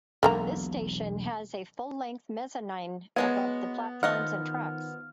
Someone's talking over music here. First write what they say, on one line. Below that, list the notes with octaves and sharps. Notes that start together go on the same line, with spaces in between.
This station has a full length mezzanine above the platforms and tracks.
E1 B1 D3 A#3 A#5
F#3 G#3 B3 G#5
D#3 F3 D#5 F#5 F6